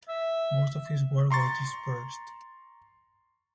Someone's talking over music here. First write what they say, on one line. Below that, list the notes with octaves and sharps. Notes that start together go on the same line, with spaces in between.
Most of his work was dispersed.
E5
A#5 C6 C#6 A6